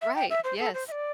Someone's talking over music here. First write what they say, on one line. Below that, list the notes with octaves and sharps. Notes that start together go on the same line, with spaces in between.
Right, yes.
E5
G5
E5
C5
A4
C5
E5
D5